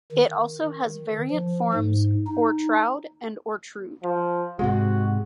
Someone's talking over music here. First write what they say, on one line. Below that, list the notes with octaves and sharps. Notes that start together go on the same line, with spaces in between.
It also has variant forms Ortraud and Ortrude.
D#3
F3
G#2
D#4
F3
G#2 C3 G#3 F#4